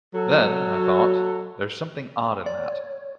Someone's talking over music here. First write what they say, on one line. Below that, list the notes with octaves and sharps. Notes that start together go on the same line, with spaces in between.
Then, I thought, there's something odd in that.
F#3 A4
C#5 D5